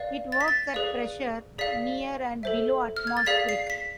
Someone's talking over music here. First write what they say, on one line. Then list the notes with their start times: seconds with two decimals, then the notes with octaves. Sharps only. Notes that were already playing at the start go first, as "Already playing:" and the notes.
It works at pressure near and below atmospheric.
Already playing: B4 D5 F5
0.32 A6
0.41 B6
0.48 A6
0.74 G#4 B4 D5 F5
1.58 G#4 D5 F5 B6
2.43 A4 C5 E5
2.96 F6
3.07 G#6
3.17 A6
3.26 G#4 D5 F5 B6
3.49 C7
3.70 B6